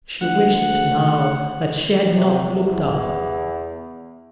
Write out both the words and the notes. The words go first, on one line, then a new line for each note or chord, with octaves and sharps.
She wished now that she had not looked up.
D2 F#5
C3
E2